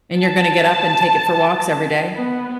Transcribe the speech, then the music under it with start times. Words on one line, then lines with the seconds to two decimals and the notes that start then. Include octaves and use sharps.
And you're gonna get up and take it for walks every day?
0.17 A5
2.16 B3